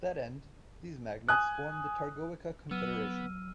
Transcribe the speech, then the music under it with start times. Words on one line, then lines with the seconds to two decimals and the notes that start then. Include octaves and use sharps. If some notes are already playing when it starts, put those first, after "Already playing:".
To that end these magnates formed the Targowica Confederation.
1.29 G#5 D#6 F#6
2.71 F#3 B3 E6 F6 D#7